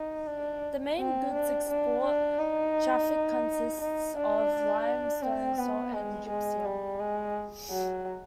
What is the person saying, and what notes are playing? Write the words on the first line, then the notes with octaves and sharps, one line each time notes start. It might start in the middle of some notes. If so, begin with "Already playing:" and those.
The main goods export traffic consists of lime stone, salt and gypsum.
Already playing: D#4
D4
C4
D4
D4
D4
D#4
D#4
D4
C4
B3
G#3
G#3
G3
G#3
F#3